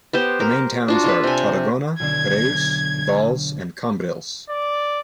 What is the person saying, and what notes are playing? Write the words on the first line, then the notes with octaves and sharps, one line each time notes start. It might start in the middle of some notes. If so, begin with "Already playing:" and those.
The main towns are Tarragona, Reus, Valls and Cambrils.
B3 G4 C5
A#4
D4 F4 F#4
F4 A4 B4
C3 G#5
B1 D3 D4 G#6
D5